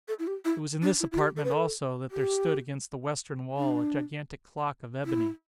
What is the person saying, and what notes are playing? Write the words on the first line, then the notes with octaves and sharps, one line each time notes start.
It was in this apartment, also, that there stood against the western wall, a gigantic clock of ebony.
A4
E4
G4
E4
D4
E4
E4
G4
A4
B4
A4
G4
D4
E4